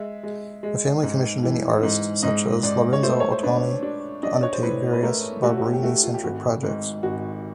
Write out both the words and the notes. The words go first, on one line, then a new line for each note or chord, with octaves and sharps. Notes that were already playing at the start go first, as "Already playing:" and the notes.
The family commissioned many artists, such as Lorenzo Ottoni, to undertake various Barberini-centric projects.
Already playing: G#3 E5
G#3
G#3
G#2
E3
G#2
G#2 D#5
G#2 D5
C#5
A3 C5
C#5
C5
D4 B4
D4
D4 D#5
D5
C#5
C5
A2 B4
B4
A3 A#4
A3 F#4
F#4
G4
G4
A3 F#4
F4
G4
G#1 F#4
G#2
G#1 F#4